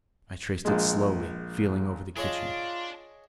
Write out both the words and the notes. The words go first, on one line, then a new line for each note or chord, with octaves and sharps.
I traced it slowly feeling over the kitchen.
A#1 G#3
D4 F4 G#4 C#5 D#5